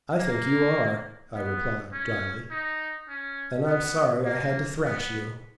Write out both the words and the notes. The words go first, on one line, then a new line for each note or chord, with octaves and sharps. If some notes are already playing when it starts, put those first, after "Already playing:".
"I think you are," I replied, drily, "and I'm sorry I had to thrash you."
A#3
B3
C#4
D#4
C#4
B3
A#3
B3